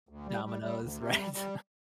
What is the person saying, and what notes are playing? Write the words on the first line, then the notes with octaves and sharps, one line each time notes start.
Domino's, right?
D2
G3
G3
G3
D2
C3
G3
G3